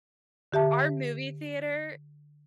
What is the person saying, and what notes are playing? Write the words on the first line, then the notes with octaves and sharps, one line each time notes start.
our movie theater?
D3 G4 E5 A5